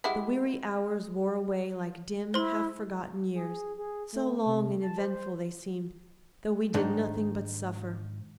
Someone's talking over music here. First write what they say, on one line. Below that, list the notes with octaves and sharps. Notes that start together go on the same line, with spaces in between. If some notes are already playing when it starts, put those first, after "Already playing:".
The weary hours wore away like dim half-forgotten years, so long and eventful they seemed, though we did nothing but suffer.
G3 G#3 E4 F#5
E4 C5 C6
G#4
G#4
A3
C3
A5
C5
C5
G#2 D#3 D4 D#4